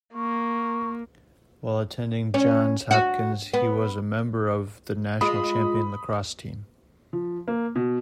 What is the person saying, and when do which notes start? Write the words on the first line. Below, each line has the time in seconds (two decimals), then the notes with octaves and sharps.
While attending Johns Hopkins he was a member of the National Champion lacrosse team.
0.14 A#3 C#6
2.34 C#4
2.91 F#4
3.53 B3
5.21 G#3 F4 B5 D#6
7.13 F3
7.48 A#3
7.75 B2